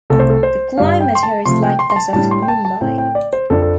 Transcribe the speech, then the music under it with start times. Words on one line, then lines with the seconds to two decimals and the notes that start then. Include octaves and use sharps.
The climate here is like that of Mumbai.
0.10 C2 C3 A3 C4 A4
0.19 C5
0.30 A4
0.43 C5
0.78 G2 G3 D4 F5
1.01 G5
1.15 C6
1.23 A5
1.45 C3 F3 A3 C6
1.63 G5
1.79 C6
1.90 C6
1.96 A5
2.13 A2 G3 D4 A5
2.31 C6
2.42 G5
2.48 A5
2.65 A5
2.81 A2 A3 C4 G5
2.98 G5
3.15 D5
3.33 C5
3.50 F2 F3 D4 A4
3.62 A4